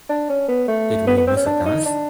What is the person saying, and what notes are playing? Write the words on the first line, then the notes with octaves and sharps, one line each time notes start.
Did we miss a dance?
D4
C#4
B3
A3
B3
B3
C4
C#4
D4
D#4
D4